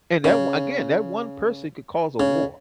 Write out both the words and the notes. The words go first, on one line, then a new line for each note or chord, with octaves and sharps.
and that o Again, that one person could cause a war.
C#3
C#3